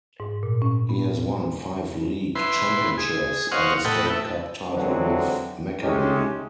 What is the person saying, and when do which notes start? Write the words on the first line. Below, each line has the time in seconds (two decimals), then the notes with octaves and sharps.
He has won five league championships and a State Cup title with Maccabi.
0.20 G#2
0.43 A#2
0.62 C#4
0.89 B3
2.35 E4 B4 C6
2.98 G#4
3.52 C5 D#5 F5 F#5 C#6
3.85 A2 A4 D#5 F#5 G5 B5
4.10 A4 E5
4.73 D3 E3 F#3 G#3 C4
5.83 G#3 A3 C#4 D#4 G4